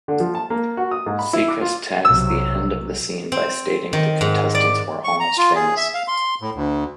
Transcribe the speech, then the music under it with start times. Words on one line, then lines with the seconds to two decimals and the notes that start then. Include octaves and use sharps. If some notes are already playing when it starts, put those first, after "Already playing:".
Seacrest tags the end of the scene by stating the contestants were almost famous.
0.08 D3
0.20 F3
0.35 A5
0.50 A#3
0.77 F#4
0.91 D#6
1.06 G#2
1.19 B5
1.33 E4
1.48 D6
1.61 F4
2.05 B1 C3 F#3 E6
3.32 C4
3.93 D#3
4.21 G#2
4.55 D5
5.04 C#6
5.20 A#5
5.38 F4
5.56 G#4
5.77 E5
5.94 F5
6.08 C6
6.41 A2
6.55 D2